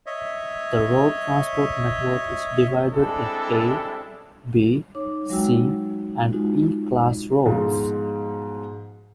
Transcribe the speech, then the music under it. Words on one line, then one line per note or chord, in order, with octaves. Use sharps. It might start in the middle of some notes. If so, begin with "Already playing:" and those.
The Road transport network is divided in A, B, C and E class roads.
C#5 D#5 E5
G3 G#3 C4 D4 E4 A4
D#4 C#5 D6
F#3 G#3 D#4 F#4 G5 E6
G#3 D#4 F4 F#4
G#2 B2 F3 G#3